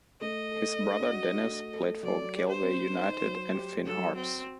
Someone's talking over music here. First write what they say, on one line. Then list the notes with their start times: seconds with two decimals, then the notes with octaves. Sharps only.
His brother Denis played for Galway United and Finn Harps.
0.21 A3 D#5
0.52 A4
0.82 D4
1.12 F#4
1.43 A3
1.73 A4
2.03 F#3 D5
2.34 G4
2.49 C5
2.63 C4
2.94 D#4
3.25 F#3
3.54 G4
3.85 F#3 A4
4.15 C4 F#4